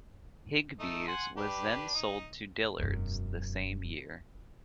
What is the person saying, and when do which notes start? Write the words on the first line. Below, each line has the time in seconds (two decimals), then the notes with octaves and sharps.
Higbee's was then sold to Dillard's the same year.
0.80 A3 D#4
1.08 F#5 G#5 C6
1.37 D4 G4 B4
1.94 D#4
2.79 E1 F#2